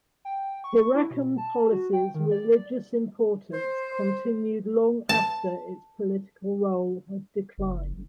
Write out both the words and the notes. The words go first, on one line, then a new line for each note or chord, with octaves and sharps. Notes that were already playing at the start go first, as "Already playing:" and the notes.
Hierakonpolis’s religious importance continued long after its political role had declined.
G5
C#6
E4
B2
A5
F#4
G5
D#3
D5
C5
A5
F#1